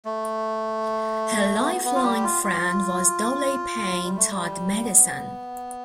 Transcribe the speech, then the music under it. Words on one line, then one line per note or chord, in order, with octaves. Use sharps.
Her lifelong friend was Dolley Payne Todd Madison.
A3
B3
B3
F4
G3 G4
F4
F4
G3
A3
G3
B3